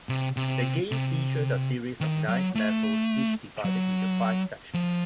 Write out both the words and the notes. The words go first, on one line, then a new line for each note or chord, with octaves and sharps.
The game featured a series of nine levels, each divided into five sections.
C3
C3
C3
D#3
F#3
A3
F#3
F3